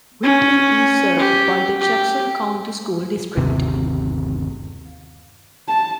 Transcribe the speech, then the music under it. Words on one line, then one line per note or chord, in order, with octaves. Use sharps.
Ripley is served by the Jackson County School District.
C#4
G4
G4
G1 D#2 C3
A5